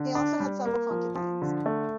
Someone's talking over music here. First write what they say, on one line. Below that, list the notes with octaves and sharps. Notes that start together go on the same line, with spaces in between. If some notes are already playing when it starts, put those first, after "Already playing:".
He also had several concubines.
Already playing: D3
D4
G3
A#3
F3
F3
D3
A3